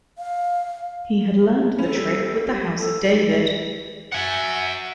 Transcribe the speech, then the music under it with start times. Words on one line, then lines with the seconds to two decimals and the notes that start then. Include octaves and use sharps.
He had learned the trick with the House of David.
0.18 F5
1.78 C#4 A4 B5 F7
1.96 G3
2.77 A4
4.12 F#4 E5 F#5 G#5